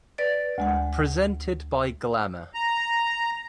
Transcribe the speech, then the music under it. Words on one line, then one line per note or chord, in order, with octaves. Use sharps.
Presented by Glamour.
B4 D5 A6
D2 G#3 F#5
A#5